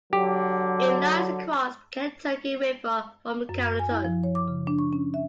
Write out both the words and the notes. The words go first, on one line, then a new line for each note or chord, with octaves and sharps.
It lies across the Kentucky River from Carrollton.
D3 F#3 G4
F#2
G#6
G#5
E4
F3
C#5
D6
C#3
D4
C#6
C#4
E5